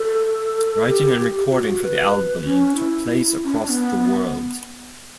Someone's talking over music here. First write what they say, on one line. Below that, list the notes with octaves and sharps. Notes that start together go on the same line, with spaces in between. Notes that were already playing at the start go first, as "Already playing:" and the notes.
Writing and recording for the album took place across the world.
Already playing: A4
G4
F#4
B4
C#4
E4
C#4
D4
B3